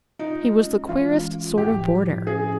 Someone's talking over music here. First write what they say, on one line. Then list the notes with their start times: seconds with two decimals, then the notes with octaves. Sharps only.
He was the queerest sort of boarder!
0.19 D#4 F4
0.43 G#3
0.65 C#4
0.89 E3 F4
1.12 G#3
1.35 F4
1.58 A2 G4
1.81 F3
2.04 A2
2.26 C#4 G#4